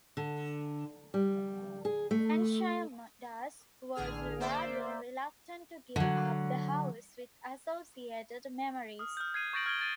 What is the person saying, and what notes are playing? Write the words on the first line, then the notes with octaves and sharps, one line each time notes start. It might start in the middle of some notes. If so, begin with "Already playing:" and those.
Ghanshyamdas was rather reluctant to give up the house with associated memories.
D3
G3
G#4
A3
A1 D3 G#4 F6
A#3 C5 D5 E5
D3 F#3
D#6 F6
F6 G6
G#6 C7 D#7
C#6 G6 A6 A#6 D7 F#7
F6 G#6 D7 G7
G#6 A6 D#7